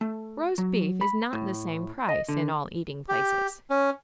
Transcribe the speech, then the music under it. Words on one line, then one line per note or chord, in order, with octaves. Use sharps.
Roast beef is not the same price in all eating-places.
A3
F#3
B5
A2
D#5
D3
G4
C#4